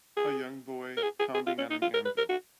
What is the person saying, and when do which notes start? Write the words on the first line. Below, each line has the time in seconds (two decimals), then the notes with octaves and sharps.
A young boy pounding on an anvil.
0.17 G#4
0.97 A#4
1.03 G#4
1.19 G#4
1.34 G#4
1.46 F4
1.58 C#4
1.70 D#4
1.82 F4
1.94 A#4
2.05 B4
2.17 A#4
2.29 F#4